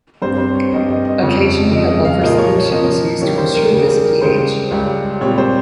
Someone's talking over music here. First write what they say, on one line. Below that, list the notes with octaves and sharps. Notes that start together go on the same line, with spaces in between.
Occasionally, a buffer solution is used to ensure this pH.
G2 G3 C4 C5
C5
C#5
G2 G3 C4 D#5
D#5
D#5
F2 C#3 F3 G#3 C#5
F2 C#3 F3 G#3 D#5
D#5
F5
A#2 F3 A#3 D#5
C#5
C#5
A#2 F3 A#3 D#5
D#2 C#3 G3 A#3 C#5
C5
A#4
D#2 C#3 G3 A#3 G#4
G#4
A#4
C#2 C#3 G3 C5
C#2 C#3 G3
A#2 G3 C4 C#5
C5